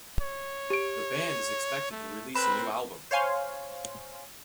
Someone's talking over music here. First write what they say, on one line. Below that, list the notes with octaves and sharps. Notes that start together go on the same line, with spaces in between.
The band is expected to release a new album.
C#5
G4 D7
A3
C4 B4 B5 E7
C5 C#5 F5 G#5 C6